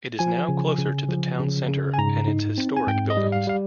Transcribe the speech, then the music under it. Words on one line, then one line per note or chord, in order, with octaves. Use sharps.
It is now closer to the town centre and its historic buildings.
F3 G#5
C#3
C#3
F3
C#3
C#3
G#5
G#2 A#5
D#4
C4
G#5
G#2 G5
D#5
G3
F5
G3 F5